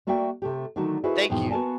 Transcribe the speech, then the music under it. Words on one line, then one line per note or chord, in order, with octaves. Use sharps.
Thank you.
A3 A#3 F#4 D5 E5 G5
C3 A3 G4
D3 D#3 F#3 A3 F#4 A#4
E4 F#4 G#4 B4 C5 D#5
E2 G#2 B2 F3 G#3 G5
B3 F#4 A#4 F5 G#5 A5